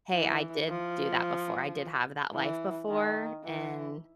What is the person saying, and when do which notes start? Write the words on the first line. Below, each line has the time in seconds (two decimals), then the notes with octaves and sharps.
"Hey, I did do that before. I did have that life before, and
0.14 E3
0.69 F3
2.34 E3
2.89 D#3
3.44 E3